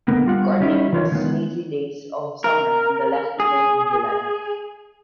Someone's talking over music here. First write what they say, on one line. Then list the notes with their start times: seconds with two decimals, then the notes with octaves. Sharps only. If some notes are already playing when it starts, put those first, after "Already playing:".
Corning hosts Lazy Days of Summer on the last weekend in July.
0.08 D3 A#3 B3
0.26 G3 F4 F#5
0.60 D#3 G3 C#4 D#4 E4
0.93 E3 F4 C#5
1.12 D#3 G#3 B3
2.44 A#4
3.40 G#4